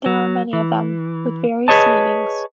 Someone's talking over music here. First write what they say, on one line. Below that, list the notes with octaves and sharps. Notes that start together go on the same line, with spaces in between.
There are many of them, with various meanings.
F#3
E3
G#4 B4 C#5 D#5 A5